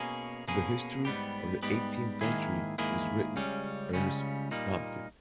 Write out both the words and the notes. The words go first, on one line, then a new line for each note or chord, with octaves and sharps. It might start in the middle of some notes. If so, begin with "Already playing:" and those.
The history of the eighteenth century is written, Ernest prompted.
Already playing: B2 A#3 C#4 G#4
B2 A#3 C#4 G#4
G#2 G3 B3 G4
G#2 G3 B3 G4
G#2 D#3 A#3 E4 G#4
G#2 D#3 A#3 E4 G#4
C#2 C#3 G3 C#4
C#2 C#3 G3 C#4
A#2 G3 A#3 D#4